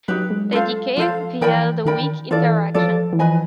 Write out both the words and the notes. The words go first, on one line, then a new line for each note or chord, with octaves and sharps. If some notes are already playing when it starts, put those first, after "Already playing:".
They decay via the weak interaction.
F#3 D#4 G4 B4
G#3
F4 A4 C5 F5
F3 F4 A4 C5 F5
E3 A#4 D5 G5 B5
D#3 A#4 D5 G5 B5
E3 F4 A4 D5
F3 F4 A4 D5
E3
F3 B4 D#5 G#5 B5